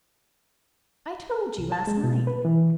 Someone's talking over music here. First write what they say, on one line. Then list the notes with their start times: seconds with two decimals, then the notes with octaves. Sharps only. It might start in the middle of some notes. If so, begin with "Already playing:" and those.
"I told you last night."
1.58 C2
1.72 A5
1.87 G#3
2.03 B2
2.27 B4
2.45 E3